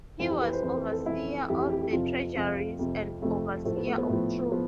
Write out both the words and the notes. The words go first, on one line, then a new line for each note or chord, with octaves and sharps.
He was overseer of the treasuries and "overseer of troops".
F2 E3 C4
G4
B4
C5
F2 E3 C5
B4
A4
F2 E3 E4
F2 E3 G4
G4
G4
G4
F2 C3 F3 F4
F2 C3 F3 F4
F2 C3 F3
F2 C3 F3 A3
A2 F3 A3
B3
A3
B3
A2 F3 A3
F3 B3